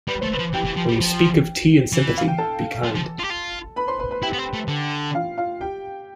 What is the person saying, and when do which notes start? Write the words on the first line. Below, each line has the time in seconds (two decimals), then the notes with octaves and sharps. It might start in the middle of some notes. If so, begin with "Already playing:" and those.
When you speak of 'Tea and Sympathy', be kind.
0.08 G3 B4
0.21 A3 C5
0.33 B4
0.39 F3
0.54 E3 G4 G5
0.66 E3
0.77 F3
0.89 G3
1.00 F3
1.93 E3
2.17 F5
2.28 G5
2.38 A4 A5
2.84 F3
2.95 F3
3.19 F4
3.24 G4
3.30 F4
3.76 B4 B5
3.87 C5 C6
3.99 B4 B5
4.11 B4 B5
4.22 E4 G4 G5
4.33 B3
4.38 C4
4.53 A3
4.68 D3
5.15 F4 F5
5.38 F4 F5
5.61 G4 G5